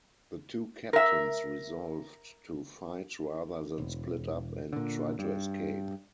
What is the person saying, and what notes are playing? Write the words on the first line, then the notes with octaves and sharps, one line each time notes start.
The two captains resolved to fight rather than split up and try to escape.
A#4 E5
E1
A#2 D3
G2